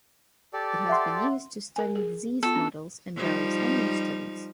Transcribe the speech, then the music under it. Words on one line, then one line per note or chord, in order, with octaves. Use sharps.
It has been used to study disease models in various animal studies.
G4 A4 D5
E5 F#5 C6
A#4 G#5
G#4
B3 F4 A4
C#4 D4
F3 G3 D#4